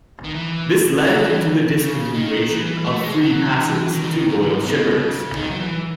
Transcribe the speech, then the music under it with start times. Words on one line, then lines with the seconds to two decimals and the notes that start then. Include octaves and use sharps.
This led to the discontinuation of free passes to loyal shippers.
0.24 D#3
0.34 E3
1.05 F#3
1.30 E3
1.78 C#3
2.13 D#3
2.49 E3
2.66 E3
2.84 A3
3.02 G#3
3.21 F#3
3.56 E3
3.92 D#3
4.03 C#3
4.10 D#3
4.28 F#2
4.40 F#2
4.46 G#2
4.64 B2
4.99 C#3
5.35 D#3
5.50 F#3
5.59 E3